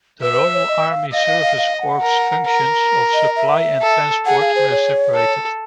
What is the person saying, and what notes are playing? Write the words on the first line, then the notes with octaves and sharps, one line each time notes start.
The Royal Army Service Corps' functions of supply and transport were separated.
B4 E5
B4
C5
C#5
D#5
F5
D#5 F5
F5
F5
F5
F#5
A#4
A#4
D#5
E5
A4
G#4 F#5
F5
C5
C#5
A4